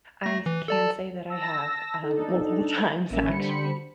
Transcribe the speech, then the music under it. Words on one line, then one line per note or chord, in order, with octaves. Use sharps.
I can say that I have, um, multiple times actually.
A3 A#6
E3
A4 D5 A5
A5 E6 A#6
D4 D#4 A4
A1 D#3 A#3 C#4 E5
D3 G3 C5 B5 C#7